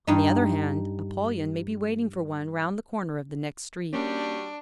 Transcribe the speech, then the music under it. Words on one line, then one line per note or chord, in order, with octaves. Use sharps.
On the other hand, Apollyon may be waiting for one round the corner of the next street.
G2 D#4
G3 A#3 C#4 D4 F#4 G4